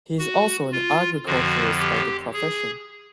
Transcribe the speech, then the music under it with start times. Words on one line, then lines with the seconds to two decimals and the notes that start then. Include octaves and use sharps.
He is also an Agriculturist by the profession.
0.19 F#4
0.72 F4
1.26 F2 D3 F3 F#4
1.79 G4
2.34 G#4